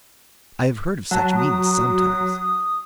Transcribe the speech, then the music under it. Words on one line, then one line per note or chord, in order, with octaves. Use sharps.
I have heard of such means sometimes.
F#3 A5
D#6